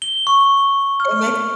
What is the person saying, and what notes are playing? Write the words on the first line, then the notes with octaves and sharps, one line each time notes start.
That makes
G7
C#6
F6